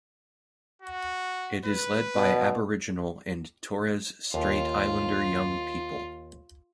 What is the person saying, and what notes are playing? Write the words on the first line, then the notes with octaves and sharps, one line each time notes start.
It is led by Aboriginal and Torres Strait Islander young people.
F#4
B4
B2
D#2 F4